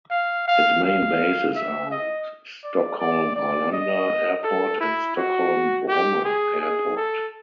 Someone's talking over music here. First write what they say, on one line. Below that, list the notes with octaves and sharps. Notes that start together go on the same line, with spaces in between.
Its main bases are Stockholm-Arlanda Airport and Stockholm-Bromma Airport.
F5
F5
F5
E5
D#5
D5
D5
D5
D#5
A4
E4
F#4
G4
G#4
G#4
A4